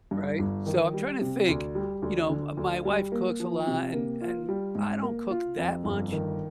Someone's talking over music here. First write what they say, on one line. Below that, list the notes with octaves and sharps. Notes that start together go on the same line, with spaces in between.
Right? So, I'm trying to think, you know, uh, my wife cooks a lot and and I don't cook that much,
G2
G1
D#3
G3
C3
D2
G3
D2
D3
D2
G3
A#3
F3
C3
A#3
F4
G3
G#2
A#3
F4
F2
G1
D#3